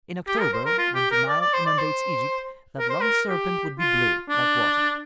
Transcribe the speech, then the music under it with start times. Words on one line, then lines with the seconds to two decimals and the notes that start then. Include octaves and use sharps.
In October, when the Nile inundates Egypt, that long serpent would be blue, like water.
0.28 G4
0.40 A#4
0.53 C5
0.66 A#4
0.78 F4
0.95 G4
1.11 A#4
1.28 D5
1.41 D5
1.53 C5
1.66 D5
1.78 C5
2.79 A#4
2.90 C5
3.01 A#4
3.29 G4
3.79 F4
4.29 D4